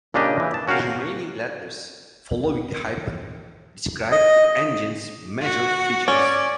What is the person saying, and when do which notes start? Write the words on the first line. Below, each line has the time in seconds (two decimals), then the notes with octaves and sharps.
The remaining letters, following the hyphen, describe the engine's major features.
0.14 A#2 C#3 D4 G4 D#5
0.40 E3
0.54 A5
0.68 C#4 F#4 A#4 F5 G5
4.12 D#5
5.41 F#4
6.08 C#4 D5